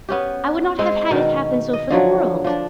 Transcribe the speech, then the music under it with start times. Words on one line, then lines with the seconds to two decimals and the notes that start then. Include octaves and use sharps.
I would not have had it happen so for the world.
0.09 B3 C#4 G4
0.79 G#3 C4
1.11 B2 D#3
1.73 D#5
1.90 D3 F3 F#3
2.44 F3 D4